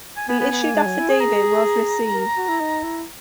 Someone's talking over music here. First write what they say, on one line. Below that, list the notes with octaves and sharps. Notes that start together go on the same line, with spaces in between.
The issued affidavit was received.
G#5
B3 G#5
B3
B3
A#3
G#3
F#3
E4
G#4
A#5
A#4
F#4
E4
D#4
E4